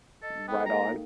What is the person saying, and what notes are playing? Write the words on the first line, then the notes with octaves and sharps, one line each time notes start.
Right on.
A4 D#5
B3 A4 G5
A#3 A#4 F5 A#5
D#4